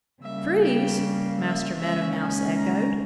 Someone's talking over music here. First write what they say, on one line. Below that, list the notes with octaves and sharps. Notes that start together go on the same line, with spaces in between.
"Trees!" Master Meadow Mouse echoed.
C#3 G3 A#3 E5
G5
E5
D#2 C#3 G#3 C#4 E5
G#5
A#5